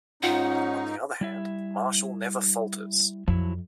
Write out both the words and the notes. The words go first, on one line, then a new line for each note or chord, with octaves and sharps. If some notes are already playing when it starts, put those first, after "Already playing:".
On the other hand, Marshall never falters.
G#2 C#4 D#4 F4 F#5
G3 E4 E5
F2 F3 F#3 E4